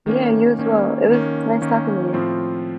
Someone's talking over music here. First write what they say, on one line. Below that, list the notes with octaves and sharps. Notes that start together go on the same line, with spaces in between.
Yeah, you as well. It was nice talking to you.
D#3 A#3 C#4
D#3 A#3 C#4
D#3 A#3 C#4
D#3 A#3 C#4
A2 F3 C4 F4